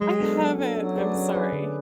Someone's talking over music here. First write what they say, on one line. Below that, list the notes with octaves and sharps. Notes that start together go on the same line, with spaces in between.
I haven't, I'm sorry.
F#3 G#3
B3 D4 A4
F#3
B3 D4 A4
F#3 C#4
G#4 B4 D5
C#4
G#4 B4 D5
D3